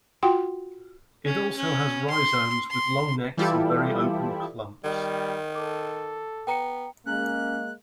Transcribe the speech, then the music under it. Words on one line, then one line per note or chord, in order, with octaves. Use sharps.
It also has rhizomes with long necks and very open clumps.
F4 F#4 F#5 G5 C6
C#4
C#4
C6
C6
E3 G3 E4 F4 G4 A4
D#3 G3
A4 D6
B3 G5 A#5 C#7
G#3 A#3 C#4 F#6